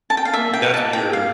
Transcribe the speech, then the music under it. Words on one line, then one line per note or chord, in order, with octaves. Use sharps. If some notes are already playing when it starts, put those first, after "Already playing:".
that's what your
A5
G5
F5
A#3 E5
G5
A5
G5
F5